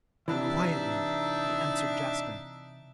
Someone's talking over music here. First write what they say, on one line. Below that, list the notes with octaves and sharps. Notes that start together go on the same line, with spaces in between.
Quietly be answered Jaska.
C3 E3 D4 D#4 E5